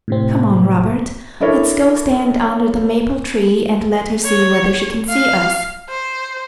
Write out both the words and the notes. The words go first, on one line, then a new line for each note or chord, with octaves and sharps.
"Come on, Robert, let's go stand under the maple tree and let her see whether she can see us."
A2 C3 C4
D4 E4 A4 A#4 C#5
C#5
F5
C5